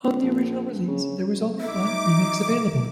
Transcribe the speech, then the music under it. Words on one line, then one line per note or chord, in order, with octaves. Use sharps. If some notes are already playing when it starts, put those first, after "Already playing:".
On the original release, there was only one remix available.
A#1
C#3
D#4 E5 D6